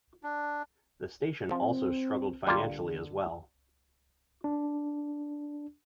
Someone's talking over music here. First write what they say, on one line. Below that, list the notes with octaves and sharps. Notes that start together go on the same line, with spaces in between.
The station also struggled financially as well.
D4
F3 C4
D3 G3 A#3 F4
D4